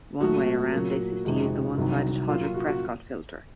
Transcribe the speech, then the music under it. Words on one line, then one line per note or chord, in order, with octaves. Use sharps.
One way around this is to use the one-sided Hodrick-Prescott filter.
A#2 F#3 A3 F#4
A#2 F#3 A#3
F2 C3 D#3 G#3
C2 C3 D#3 F#3
A#2 F#3 A#3 F4
F#4
F#4